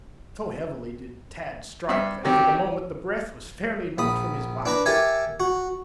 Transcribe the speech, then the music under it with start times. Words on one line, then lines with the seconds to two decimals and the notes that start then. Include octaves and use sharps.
So heavily did Tad strike that, for the moment, the breath was fairly knocked from his body.
1.89 G2 E5
2.25 D#3 F#3 C4 G4
3.98 A#1 B5 D#6
4.66 D4 B4 A#5
4.86 G4 A4 A#4 E5 G#5
5.40 F#4